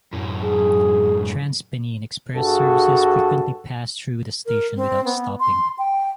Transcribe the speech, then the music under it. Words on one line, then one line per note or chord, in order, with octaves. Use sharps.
TransPennine Express services frequently pass through the station without stopping.
F#2 A2
G#4
G2 F#4 G#4 A4
A#4
C4
B3
C6
G5